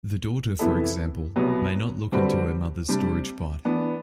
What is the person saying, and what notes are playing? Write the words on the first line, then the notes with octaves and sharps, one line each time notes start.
The daughter, for example, may not look into her mother's storage pot.
C3 E3 B3 E4 A4
C2 B2 F#3 B3
D3 G3 C4 F#4 B4
C3 G3 D4
E3 B3 D4